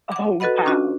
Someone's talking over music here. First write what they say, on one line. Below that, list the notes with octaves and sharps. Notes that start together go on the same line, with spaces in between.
Oh, wow.
F#5 D6
F#4 A4 B4 D#5 F#5 B5
C#4 D4 F4 F#4 D#5